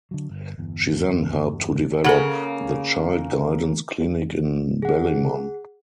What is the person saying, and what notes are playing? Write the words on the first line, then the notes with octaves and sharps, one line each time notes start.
She then helped to develop the Child Guidance Clinic in Ballymun.
D3 F#3
G1
G1 E2
C#3 A#3 A4 F#5
G#4 F#5